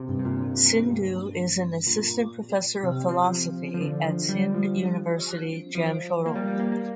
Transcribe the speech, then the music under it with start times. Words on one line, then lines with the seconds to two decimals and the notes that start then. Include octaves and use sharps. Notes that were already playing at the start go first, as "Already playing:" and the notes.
Sindhu is an assistant professor of philosophy at Sindh University Jamshoro.
Already playing: C3
0.09 G2
0.19 C3
0.25 A#2
0.41 C3
0.65 A#2
0.90 G2
1.87 A#2
2.83 C3
3.09 F3
3.74 F3
3.81 D3
4.05 F3
4.29 G3
4.54 F3
5.75 F3
6.26 A#3
6.36 G3
6.48 G3
6.60 A#3
6.72 A#3